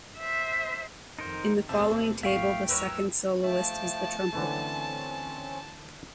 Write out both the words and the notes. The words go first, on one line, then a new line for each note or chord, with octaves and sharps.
In the following table, the second soloist is the trumpeter.
C5 E5
F2 D#3 D#4 A#4 C5
D#2 B2 A3 E5 A5
G#1 A3 E5 F5 G5 C#6
E2 F#3 A#4 B4 C#5 E6
F3 A3 E5 G5 A5
D3 E3 A3 C4 C#4